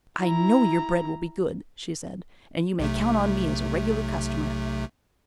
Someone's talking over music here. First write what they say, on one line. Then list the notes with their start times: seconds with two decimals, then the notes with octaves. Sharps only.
"I know your bread will be good," she said, "and you may count on me as a regular customer."
0.19 E4 A#5
2.79 B1 C3 A3